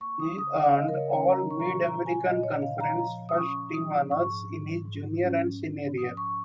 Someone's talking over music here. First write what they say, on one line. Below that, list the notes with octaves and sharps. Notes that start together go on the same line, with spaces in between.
He earned All-Mid-American Conference first-team honors in his junior and senior year.
A#3 C#6
D#6
C#3 D#6
F5
C#3 D#5
A#4
C#5
C#4 C#5
A#5
A#2 C#6
A#5
C#6
A#2 A#5
G#5
A#2 D#5
C#5
A#2 F5
A#5
F3 A#5
D#6
C#4 C#6
F3 D#6
G#2 C#6
G#2
G#2
C#4
G#2
F3 D#6
C#6